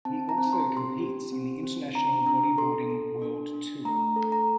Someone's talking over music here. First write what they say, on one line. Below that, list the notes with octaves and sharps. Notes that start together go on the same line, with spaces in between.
He also competes in the international bodyboarding World Tour.
C4 A5
A#5
C4
C6
G4
C6
G4
C4
C4
D4 A#5
D4 A#5
A4 C6
A4
D4
D4
A3 A#5
A4
A#5